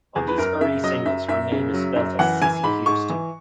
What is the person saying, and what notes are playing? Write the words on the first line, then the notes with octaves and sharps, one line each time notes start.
On these early singles her name is spelt as Sissie Houston.
E2 G#4
B4
F#2 A#4
C#3 E5
F#3 D#5
F#2 E5
F#2 E5
C#3
F#3
F#2
E3 F#5
E3 G#5
G#2 B5
G#2 C#6
E3